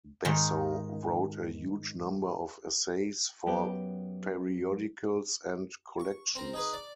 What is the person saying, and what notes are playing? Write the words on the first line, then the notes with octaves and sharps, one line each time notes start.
Basso wrote a huge number of essays for periodicals and collections.
G#2 D#3
F#2 B3 G4
C#6
C4 A#4
D#4 G#4 B4
D5